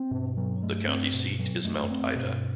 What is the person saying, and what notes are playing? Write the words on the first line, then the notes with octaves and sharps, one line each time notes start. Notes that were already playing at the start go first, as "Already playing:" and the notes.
The county seat is Mount Ida.
Already playing: C4
G2 B2
F#3
A3
C4
B2
F#3
F#2 A3
F#2
C4
F#2
B2
G2